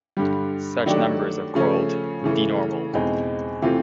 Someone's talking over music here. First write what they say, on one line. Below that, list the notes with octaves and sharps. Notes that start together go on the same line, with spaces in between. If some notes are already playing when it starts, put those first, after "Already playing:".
Such numbers are called denormal.
G2 D3 G3
D#3 F#3 A3 D4 G4
C#3 F3 A3 C#4
C#3 E3 A3
E2 B2 G#3 C4 D#4
C3 E3 A3 C4 F4